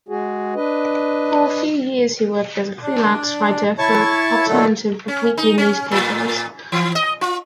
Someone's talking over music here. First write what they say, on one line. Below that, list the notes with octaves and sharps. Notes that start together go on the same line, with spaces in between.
For a few years he worked as a freelance writer for alternative weekly newspapers.
G#3 F#4 G#4
D4 B4 D#5
D4
E4 C#5 A5 C#6
A#2 D3 D#3 F#3 A3 A4
C#4
D#4
C#4
A2
E3
D#5
F4